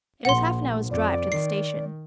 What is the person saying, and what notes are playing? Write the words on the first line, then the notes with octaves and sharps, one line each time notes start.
It was half-an-hour's drive to the station.
A#1 F#5 C6
F2 D5
D#3 C7